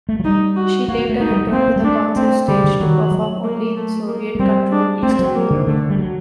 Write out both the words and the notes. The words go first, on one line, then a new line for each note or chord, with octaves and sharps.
She later returned to the concert stage to perform only in Soviet-controlled Eastern Europe.
A3
F#3
G3 D#4
F#4
A#3 F#4
A#3
A3
A3 D#4
G3
G3
A3
A#3 C4
A#3
G3
A3 D4
A3 C4
D3 G3
D3
D#3 F#3
F#3
A#3
A3
A#3
A3
G3 C4
D4
A3 C4
F#3
A#3
D3
D3 A3
G3
F#3